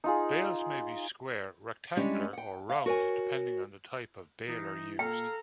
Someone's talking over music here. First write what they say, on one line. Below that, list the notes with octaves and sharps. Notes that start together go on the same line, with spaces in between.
Bales may be square, rectangular, or round, depending on the type of baler used.
D#4 F4 G#4
G3 G#3 C#4 D4 E4 G4
F#5 G5
F5
F#4 A#4 C#5 G#5
E3 D#4
A#2 A4 F5 G5 A#5